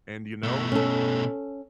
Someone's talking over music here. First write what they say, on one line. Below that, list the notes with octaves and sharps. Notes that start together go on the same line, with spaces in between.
and, you know,
B2 A3
C#4 A4